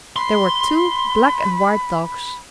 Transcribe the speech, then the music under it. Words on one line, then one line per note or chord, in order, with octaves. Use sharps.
There were two black and white dogs.
B5 C6